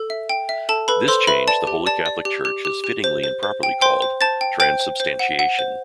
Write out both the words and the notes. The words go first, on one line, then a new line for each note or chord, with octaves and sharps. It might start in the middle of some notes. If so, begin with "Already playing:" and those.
This change the holy Catholic Church has fittingly and properly called transubstantiation.
Already playing: A4
E5
G5
E5
A4 A5
A4 B4 B5
A4 C5 C6
B4 E5 B5
D5 A5
G4
D5 A5
D5
G4
G4
G4
G4
C5
C5
C5
G5
C5 G5 C6
C5
C5 A5 A6
G5
C5 G5 G6
C5
C5
F#5
F#5
C5